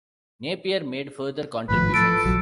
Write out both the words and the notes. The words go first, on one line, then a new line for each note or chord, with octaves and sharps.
Napier made further contributions.
G#1 A2 F3 B4
F3 A4 D7
A#1 F#3